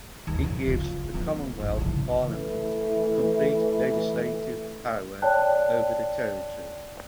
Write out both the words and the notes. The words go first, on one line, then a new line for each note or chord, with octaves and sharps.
It gives the Commonwealth Parliament complete legislative power over the territories.
D#2 D#3
C#3
B3 F4
A3 B3
G#1 D#4
C#3 E4
E3 A3
C#5 D5 G5 A5 F#6